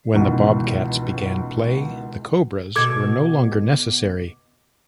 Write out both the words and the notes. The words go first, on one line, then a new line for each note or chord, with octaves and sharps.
When the Bobcats began play, the Cobras were no longer necessary.
C#2 B2 D#3 E3
B2 A4 D6 G#6